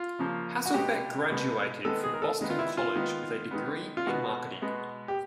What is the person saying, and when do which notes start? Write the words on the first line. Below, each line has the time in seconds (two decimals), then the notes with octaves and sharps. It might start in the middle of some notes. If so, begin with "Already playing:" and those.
Hasselbeck graduated from Boston College with a degree in marketing.
Already playing: F4
0.19 C#3 F3 A#3
0.66 F#4
0.74 B2 G#3 B3 G4
1.29 B2 G#3 B3
1.85 D#3 G#3 B3 A4
2.04 G#4
2.14 A#4
2.22 A4
2.41 D#3 G#3 B3
2.50 F4
2.59 E4
2.77 F4
2.95 D#3 G#3 B3
3.51 D#3 G#3 B3
3.97 F4
4.07 B2 G#3 B3 F#4
4.62 B2 G#3 B3
5.08 G4